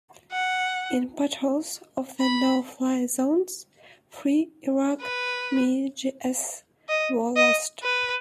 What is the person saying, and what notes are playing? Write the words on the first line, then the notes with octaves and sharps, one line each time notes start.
In patrols of the no-fly zones, three Iraqi MiGs were lost.
F#5
B5
B4
D#5
D#5
B4